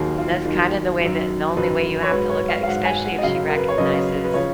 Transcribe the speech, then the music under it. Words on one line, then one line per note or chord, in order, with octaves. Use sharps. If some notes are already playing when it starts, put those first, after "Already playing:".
That's kinda the way that the only way you have to look at especially if she recognizes
Already playing: D#2 D#3 F#3 G#4
F4
D#2 D#3 F#3
F#2 D#3 F#3
F#2 D#3 F#3 B4
C#5
G#2 F#3 B4
C#5
F5
F5
G#2 F#3 F#5
G#5
F#5
D#5
F#2 C#3 F#3 F5
A#4
B4
C#5
F#2 C#3 F#3 D#5
B4
C#3 F3 C#5